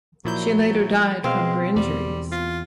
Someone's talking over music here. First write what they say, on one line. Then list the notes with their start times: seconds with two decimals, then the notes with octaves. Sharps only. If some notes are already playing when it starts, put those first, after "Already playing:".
She later died from her injuries.
0.25 A#2 F3 F#3 E4 G6
1.24 B2 G#3 C4 F5
1.76 E2 G3
2.32 F4